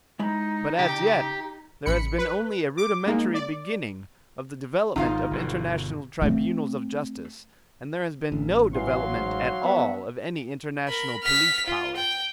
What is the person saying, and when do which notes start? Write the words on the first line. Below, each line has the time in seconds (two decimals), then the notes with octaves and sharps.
But as yet there has been only a rudimentary beginning of the development of international tribunals of justice, and there has been no development at all of any international police power.
0.19 G#3 D#4 E4 B5
0.79 C#3 G4
1.86 A1 B5 C#7
2.18 B4
2.77 D6
3.06 G#3 A#3 D#4
3.34 D5
4.96 G#1 D#4 F4 F5
5.31 G1 B2
6.22 A3 C4
8.32 A1
8.74 E3 F#3 F5 C6
9.13 G#2
9.64 B3 F#4 E5
10.88 A#4 B5
11.24 F6 B6
11.66 F4
11.96 G5